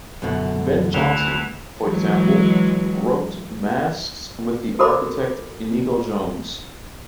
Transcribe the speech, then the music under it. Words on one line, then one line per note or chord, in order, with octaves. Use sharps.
Ben Jonson, for example, wrote masques with the architect Inigo Jones.
F#2 B2 D3
D2 E3
E3 F#3 G#3
F#4 A4 A#4 C5 B5 D6